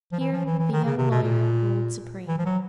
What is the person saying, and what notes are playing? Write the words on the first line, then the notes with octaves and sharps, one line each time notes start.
Here the young lawyer ruled supreme.
F3
E3
F3
E3
E3
D#3
C#3
C3
B2
A#2
E3
F3
F#3